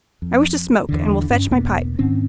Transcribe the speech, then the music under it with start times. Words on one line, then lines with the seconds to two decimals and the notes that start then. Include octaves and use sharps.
"I wish to smoke, and will fetch my pipe."
0.22 F2
0.89 E2 D3
1.30 G2 C4 C#4
1.51 E2 B2 A#3 B3
1.99 G#2 D#3 C4 C#4